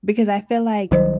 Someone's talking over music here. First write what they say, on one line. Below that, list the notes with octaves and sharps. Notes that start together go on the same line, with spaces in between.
because I feel like
C2 D#3 F#3 G3 C5 D#5